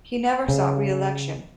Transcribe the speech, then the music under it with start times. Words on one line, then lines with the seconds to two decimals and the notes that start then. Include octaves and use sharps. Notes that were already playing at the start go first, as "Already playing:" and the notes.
He never sought re-election.
0.48 C#3